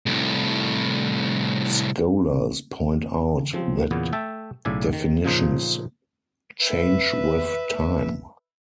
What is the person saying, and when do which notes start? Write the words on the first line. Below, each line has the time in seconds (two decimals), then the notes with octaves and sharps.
Scholars point out that definitions change with time.
0.06 C2 A2
3.53 C#3 F3 C4
3.91 E2 A#2 C#3 B3
4.13 A3 A4 E5 G5 A5
4.65 B1 A2 C#3 D5 E5 G#5
4.93 D#3
5.24 A#2 C#3 F3 D#4 C5
6.63 B4 E5